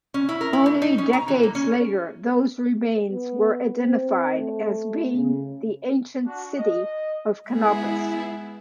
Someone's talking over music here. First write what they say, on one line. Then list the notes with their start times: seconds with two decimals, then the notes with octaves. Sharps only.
Only decades later those remains were identified as being the ancient city of Canopus.
0.14 C#4
0.29 E4
0.41 A#4
0.53 E4
0.66 A3
0.82 D#4
0.98 C#4
1.13 A#5
1.28 E3
1.43 A#3
1.55 C#4
3.12 B3
3.81 C4
4.38 A3
5.14 C#3
6.26 D4 F#4
6.57 D#5
7.49 G#3 B3 E4 G#4